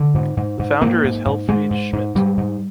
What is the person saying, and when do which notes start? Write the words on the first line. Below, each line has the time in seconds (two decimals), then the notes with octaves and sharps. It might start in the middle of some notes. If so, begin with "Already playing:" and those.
The founder is Helfried Schmidt.
Already playing: D3
0.15 G#2
0.37 G#2
0.60 G#2
0.81 G#2 A#3
1.04 G#2
1.26 G#2
1.49 G#2 G#3
1.71 G#2
1.93 G#2
2.15 G#2 G3
2.38 G#2